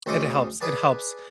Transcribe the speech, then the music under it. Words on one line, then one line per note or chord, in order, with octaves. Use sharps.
it helps it helps
D2 C#3 A4 C5 D#5 D6
G#4 B4 D5 A5